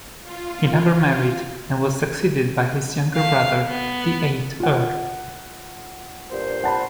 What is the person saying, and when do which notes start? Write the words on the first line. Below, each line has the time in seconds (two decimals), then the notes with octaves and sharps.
He never married and was succeeded by his younger brother, the eighth Earl.
0.23 F4
3.15 A3 F5
3.66 B3
4.60 F4 F#5
6.31 G2 A#2 C5
6.64 F#5 A5 B5